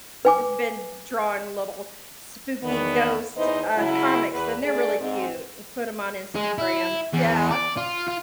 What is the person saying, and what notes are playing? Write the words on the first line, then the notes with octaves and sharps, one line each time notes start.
has been drawing little spooky ghost, uh, comics, and they're really cute and put 'em on Instagram yeah,
B4 G#5 D6
E2 D#3 B3
E2 E3 D#4 B4 C5 D#5
C#3 F#3 G#3 E4
E2 B4
A3 D4 G#4 D5
G#2 C4
G#3
E4
E2
D5
F4
F4